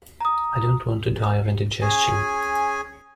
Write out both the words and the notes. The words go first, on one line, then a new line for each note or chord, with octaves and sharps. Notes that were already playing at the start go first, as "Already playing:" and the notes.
I don't want to die of indigestion.
A#5 D#6
C#4 G#4 G#5